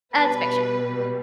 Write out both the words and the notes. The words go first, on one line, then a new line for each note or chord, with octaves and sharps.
Uh it's fiction.
B2 G3 B4